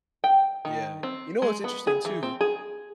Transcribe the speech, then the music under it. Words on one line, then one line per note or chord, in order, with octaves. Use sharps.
Yeah. You know what's interesting, too
G5
D#3
C4
G#3
B3
G#4
E3
C4
G#4